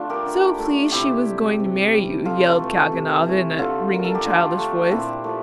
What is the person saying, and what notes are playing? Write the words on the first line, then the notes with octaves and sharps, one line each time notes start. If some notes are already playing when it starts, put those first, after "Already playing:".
"So pleased she was going to marry you!" yelled Kalganov, in a ringing, childish voice.
Already playing: D3 A3 D4 F4
G4 A#4
D3
A3
C3 E4 G4
G3
C3
G3
C3 F4 A4
E3 A3
C3
E3 A3
D3 F4 A4
A3 A#4
A4
G4
D3 D4 F4
A3
A#2 C4 E4
F3 A3